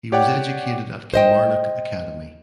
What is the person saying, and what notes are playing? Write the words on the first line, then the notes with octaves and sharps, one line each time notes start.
He was educated at Kilmarnock Academy.
G4 C#5 D5 F#5 G5
C5 D#5 G5